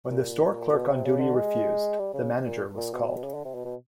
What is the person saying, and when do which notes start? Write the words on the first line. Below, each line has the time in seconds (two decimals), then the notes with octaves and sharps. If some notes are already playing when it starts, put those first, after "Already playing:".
When the store clerk on duty refused, the manager was called.
0.05 B2
0.11 A#2
0.73 B2
0.89 C3
1.05 C#3
1.20 D3
1.35 G#3
1.99 G3
2.13 C#3
2.45 A#2
2.77 A#2
2.93 B2
3.23 C#3
3.34 D3
3.45 C3
3.54 B2
3.65 B2